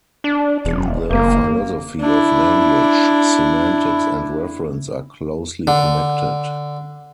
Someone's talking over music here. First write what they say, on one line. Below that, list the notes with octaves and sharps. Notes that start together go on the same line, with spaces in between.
In the philosophy of language, semantics and reference are closely connected.
D4
E1
F#1 A#3
D4 E4
D3